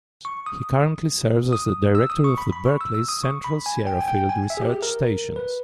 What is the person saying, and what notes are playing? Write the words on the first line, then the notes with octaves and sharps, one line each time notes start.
He currently serves as the director of Berkeley's Central Sierra Field Research Stations.
C#6
D#6
D#6
E6
D#6
C#6
B5
B5
C#6
E6
E6
D#6
C#6
B5
G#5
G5
G#5
G5
G#5
E5
G#4
G4
G#4
A#4
B4